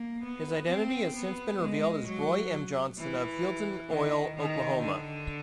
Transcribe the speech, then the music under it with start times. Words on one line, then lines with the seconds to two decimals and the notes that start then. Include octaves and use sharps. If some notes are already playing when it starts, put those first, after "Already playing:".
His identity has since been revealed as Roy M. Johnson of Healdton Oil, Oklahoma.
Already playing: A#3
0.23 B3
0.69 C4
1.16 B3
1.61 G#3
2.07 F#3
2.99 E3
3.90 D#3
4.37 D#3
4.82 D3